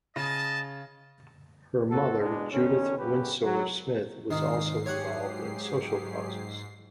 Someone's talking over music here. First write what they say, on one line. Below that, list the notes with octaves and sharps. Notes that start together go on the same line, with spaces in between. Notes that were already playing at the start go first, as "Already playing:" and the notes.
Her mother Judith Winsor Smith was also involved in social causes.
C#3 D#5 A5
F2 C4 F#4 A4
B2 G#3 D4
F2 D3 D#3 C#4
A#1 C#3 F#3 G4 B4
F#3
G#2 C3 D#3 C7
F#3 G4 G#4 C#5 F#5